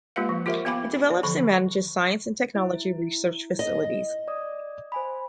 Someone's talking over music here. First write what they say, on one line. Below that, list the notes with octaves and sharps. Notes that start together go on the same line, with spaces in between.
It develops and manages science and technology research facilities.
G#3 A#3 F4 G4 B4 F5
F3
F4 G4 A#4 C5 E5
B3 G4 F5 G#5 B5 D6
D5
D3 E3 F3 B5
E4
D#5
D5 D#6
C5 G#5 B5